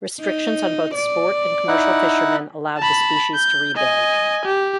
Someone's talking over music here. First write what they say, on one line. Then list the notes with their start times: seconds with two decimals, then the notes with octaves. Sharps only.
Restrictions on both sport and commercial fishermen allowed the species to rebuild.
0.22 D#4
0.95 D5
1.68 D#4 E4 F#5
2.78 A5 B5
3.35 G6
3.76 D#5 G#5
4.45 G4